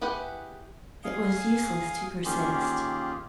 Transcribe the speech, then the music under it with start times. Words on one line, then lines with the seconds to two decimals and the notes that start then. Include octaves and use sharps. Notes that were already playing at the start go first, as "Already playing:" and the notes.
It was useless to persist.
0.01 E4 G4 G#4 B4 F#5
1.04 G#4 F5 G#5 D#6
2.25 D#3 A#3 C#4 F4 G4 G#4